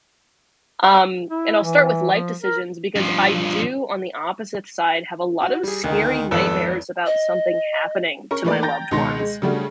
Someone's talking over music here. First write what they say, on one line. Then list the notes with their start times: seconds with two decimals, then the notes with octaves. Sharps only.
Um, and I'll start with life decisions because I do, on the opposite side, have a lot of scary nightmares about something happening to my loved ones.
1.30 E4
1.63 E3
2.12 F3
2.42 A#4
2.96 G2 F3
5.42 F#4
5.63 G3 G#4
5.84 D2 D#3 D#4
6.31 G#1 F2 B3 A4
7.06 D#5
8.31 C#4 A#4 C#6
8.44 E3 A3 A#3 B4 D5
8.63 G5 A#5 G6 A6 A#6
8.91 C#2 B2 D#3 C6 A#6
9.19 G#3
9.42 C#3 F#3 G3 A3 D4 F#4